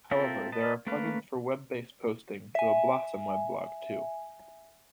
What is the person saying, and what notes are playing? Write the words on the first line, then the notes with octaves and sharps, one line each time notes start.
However, there are plugins for web-based posting to a Blosxom weblog, too.
C4 F4 A4 A#4 E5
B4 D#5 A5
A3 A#3 C#4 B4 F5
E5 G#5